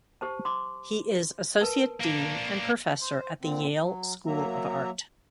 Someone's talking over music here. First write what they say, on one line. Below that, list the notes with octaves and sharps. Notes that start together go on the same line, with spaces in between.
He is Associate Dean and professor at the Yale School of Art.
G4 C5 A5
C6 D6
A#4 B4 A5
A#3 D4
C5
A#2 D3 C4
F#3
F#3 A#3 E5 A#5